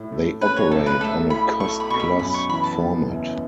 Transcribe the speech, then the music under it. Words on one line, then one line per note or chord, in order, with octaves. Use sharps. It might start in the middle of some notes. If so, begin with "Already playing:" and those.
They operate on a cost-plus format.
Already playing: A2
A3
C#4 B4
C#5
B1 A4
B4
A3 A4
E4 B5
A4 C#6
B5
B2 C#6
B5
F#2 B5
C#6
E3 B5
A5
B3
F#1